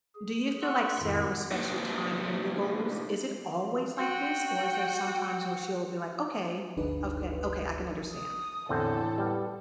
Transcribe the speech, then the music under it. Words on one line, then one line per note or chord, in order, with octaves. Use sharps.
do you feel like Sarah respects your time and your goals? Is it always like this? Or, is there sometimes where she'll be like, "Okay, of kay, okay, I can understand?"
G#4
F#5 C6 C#6 E6 F#6
F2 A2 D#3 E4
A#3 D4 D#4 G4 B4 C5
F#4 G5
G1 D2 D4 D#4 G#4 B4
D#6
E2 A2 D3 C4 A4
G3 B3